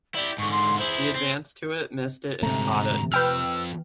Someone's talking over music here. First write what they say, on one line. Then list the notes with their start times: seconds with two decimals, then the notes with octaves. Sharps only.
She advanced to it, missed it, and caught it.
0.15 E4 G4 D5
0.38 G#2 D3 C#6
0.51 C6
0.78 E4 G#4 C5
1.15 C4
2.43 D2 G#2 C3 A3 A#5
3.12 F2 F3 B4 G5 E6 F6